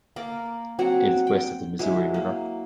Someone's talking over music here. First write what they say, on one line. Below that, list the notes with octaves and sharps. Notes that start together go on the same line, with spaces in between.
It is west of the Missouri River.
A#3 A#4 D5
F#3 C4 F#4 F#5
G5
F#3 G#3 E4
A#3